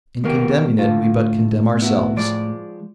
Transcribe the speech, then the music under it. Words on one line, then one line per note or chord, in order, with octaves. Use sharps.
In condemning it we but condemn ourselves.
D#2 B2 G#3 G4 A#4
A2 D3 F4
B3 E4 F#4
F3 G#3 D5